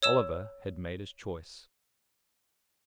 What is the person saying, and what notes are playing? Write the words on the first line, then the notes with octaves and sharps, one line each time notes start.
Oliver had made his choice.
C#5 E6 E7